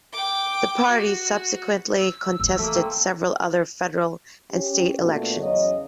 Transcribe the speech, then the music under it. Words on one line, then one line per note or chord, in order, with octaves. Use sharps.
The party subsequently contested several other federal and state elections.
G5 D6
F#4
E6
E3 C4
A3 A#3
C4
C#4 G4
A#2 A3 B3 D4 F#4
E2 C#3 F#3 C#5 D#5